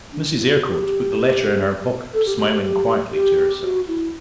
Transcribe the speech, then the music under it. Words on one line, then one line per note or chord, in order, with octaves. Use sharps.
Mrs. Eyrecourt put the letter in her pocket smiling quietly to herself.
D4
E4
F#4
G4
A4
G4
G4
G4
G4
G4
F#4
E4